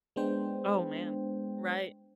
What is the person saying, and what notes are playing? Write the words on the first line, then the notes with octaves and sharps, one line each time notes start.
Oh, man. Right.
G#3 B3 D4 C5 G5